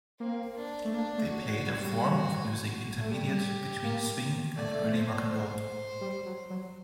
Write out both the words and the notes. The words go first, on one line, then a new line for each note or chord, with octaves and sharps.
They played a form of music intermediate between swing and early rock and roll.
A#3 C4
D4
A3
A#3 D4
A3
F#4
F#3
G3
A3
G3 G4
A#3
A3 D5
C5
C5
G3
F#3
F#3